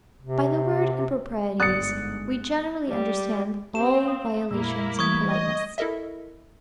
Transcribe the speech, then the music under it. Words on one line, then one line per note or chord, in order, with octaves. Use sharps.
By the word improprieties, we generally understand all violations of politeness.
C3
G1 G#2 D5 D#6 F#6 A6 C#7
G3
C4 G4 E7
F5 D#6
F2 A#2 A#3 E4 E6
E3 G3 A3 C#6 D#6 G#6
D#5
E4 A4 A#4 D#5 E5